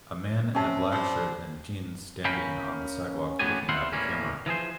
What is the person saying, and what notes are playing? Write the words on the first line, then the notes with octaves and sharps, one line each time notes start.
A man in a black shirt and jeans standing on the sidewalk looking at the camera.
C3 C#4 A5
F3 G3 C4
C#4 A#4 F5 G5 B5
A3 B3 C#4 F#4 G4 G#5
E2 C4 E4 C5 F5 F#5
E2 A2 G3 A#3 C#4
E3 F3 G#4 C5